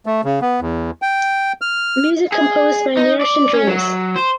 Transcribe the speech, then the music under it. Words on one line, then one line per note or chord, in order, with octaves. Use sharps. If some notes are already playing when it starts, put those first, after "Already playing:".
Music composed by Niroshan Dreams.
A3
C#3
B3
E2
G5
F6
G#4
D#4
D5
C#4
F#3
C5